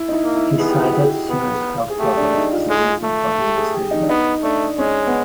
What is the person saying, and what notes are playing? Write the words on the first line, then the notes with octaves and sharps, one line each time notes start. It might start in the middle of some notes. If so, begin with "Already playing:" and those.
He cited serious health problems as a reason for his decision.
Already playing: E4
D#4
E4
A#3
E4
B3 G#4
G4
F#4
G4
B3
G#4
A3 G4
D4
D#4
F4
G#3
A3
G4
G#4
G4
D#4
D4
B3 D#4
A3 D4
G#3 C#4
B3